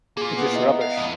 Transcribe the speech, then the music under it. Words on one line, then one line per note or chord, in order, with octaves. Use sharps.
It is rubbish.
A#3 F4 G#4
B3
E4 D#5
F5
B1 F2